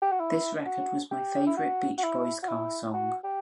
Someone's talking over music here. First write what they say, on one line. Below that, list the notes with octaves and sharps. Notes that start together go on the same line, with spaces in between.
This record was my favorite Beach Boys car song.
G4
F#4
E4
F#4
G4
E4
F#4
F#4
E4
F#4
E4
F#4
G4